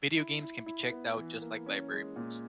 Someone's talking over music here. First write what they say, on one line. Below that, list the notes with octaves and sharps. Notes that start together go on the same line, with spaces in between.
Video games can be checked out just like library books.
E4
E4
E4
B3
E3
A#3
C#4
G#3
A#2